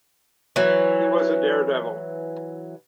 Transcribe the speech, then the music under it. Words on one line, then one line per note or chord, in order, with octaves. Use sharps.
He was a daredevil.
E3 F#3